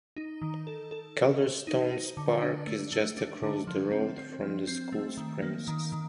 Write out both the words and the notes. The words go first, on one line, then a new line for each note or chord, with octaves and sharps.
Calderstones Park is just across the road from the school's premises.
D#4
D#3
A4
A4
A4
C5
D#4
D#4
D3
D4
A3
A3
D4
D3
F3
C4
C4
F3
C4
A3
D#3
A#3
D#3
D#3